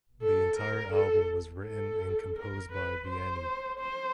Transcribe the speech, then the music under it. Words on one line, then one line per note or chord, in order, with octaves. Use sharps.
The entire album was written and composed by Vianney.
A4
A#4
A4
A4
A#4
B4
C5
C5